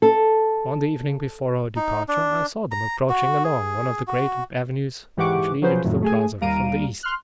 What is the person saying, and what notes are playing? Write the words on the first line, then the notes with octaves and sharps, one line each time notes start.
On the evening before our departure I saw them approaching along one of the great avenues which lead into the plaza from the east.
A4
D#4
D4
A#5
F#4
G#4
F#4
G#2 E3 G4 F#5 C#6 D6
F3 F#3 C#4 G#4 B4 C5
F2 A2 D#3 F#3
A3 G#4 G#5
D#2 G3 F5 A#5 D7 D#7
C6 F6 F#6